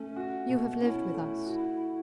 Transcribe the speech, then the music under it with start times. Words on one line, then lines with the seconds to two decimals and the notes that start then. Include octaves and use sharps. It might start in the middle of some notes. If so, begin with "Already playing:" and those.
You have lived with us.
Already playing: A3 C#4
0.16 F#4
0.49 B2
0.81 C#4 E4
1.14 A3
1.46 F#4